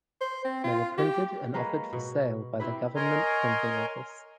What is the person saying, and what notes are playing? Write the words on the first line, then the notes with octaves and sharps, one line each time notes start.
They were printed and offered for sale by the Government Printing Office.
C5
C4
F4
G4
G#3 A#3 B4 C#5
B2
C4 E4 G4 B4
A#4 C#5 D#5 G#5 A#5 C6